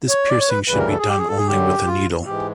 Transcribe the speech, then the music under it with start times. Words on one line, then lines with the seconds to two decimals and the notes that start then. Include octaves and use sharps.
This piercing should be done only with a needle.
0.09 C#5
0.29 D5
0.39 C#5
0.49 B4
0.68 D2 C#3 E3 G3 B4
0.78 A#4
0.88 A4
0.98 G#4
1.08 G4
1.18 G#4
1.28 A4
1.37 G#4
1.47 F#2 D3 F#3 G4
1.87 F4
2.26 G#2 E3 G#3 G4